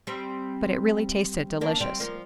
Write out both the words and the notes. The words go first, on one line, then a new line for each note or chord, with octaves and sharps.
But it really tasted delicious.
G3 C4
A#3 D4
G3 C4
F3 A#3